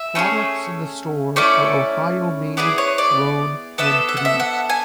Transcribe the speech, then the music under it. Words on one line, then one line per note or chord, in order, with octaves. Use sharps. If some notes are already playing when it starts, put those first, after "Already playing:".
Products in the store are Ohio made, grown and produced.
Already playing: E5
A3 C#4 G#4
A3 C#4 E4 D5
B3 E4 G#4 D5
C#5
D5
B3 D4 A4 E5
E5
F#5
E5
F#5
G#5